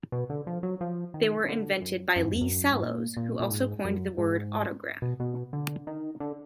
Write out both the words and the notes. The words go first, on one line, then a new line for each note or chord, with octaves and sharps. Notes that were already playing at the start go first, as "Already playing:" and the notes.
They were invented by Lee Sallows, who also coined the word "autogram".
B2
D3
F3
F#3
F3
D#3
D3
F#2
F#2
G#2
F2
F#2
G#2
A#2
A#2
A#2
G#2
F#2
G#2
B2
B2
D3
D#3
D3